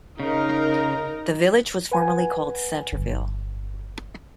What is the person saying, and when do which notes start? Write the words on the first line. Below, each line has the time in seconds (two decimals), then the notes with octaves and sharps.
The village was formerly called Centreville.
0.20 C#3 D#4 A#4
1.91 B4 F#5 G#5
2.92 G1